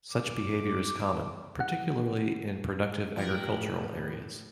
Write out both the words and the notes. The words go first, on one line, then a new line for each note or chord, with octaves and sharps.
Such behaviour is common, particularly in productive agricultural areas.
D6
F#5
A2 F3 B3 G4 A#4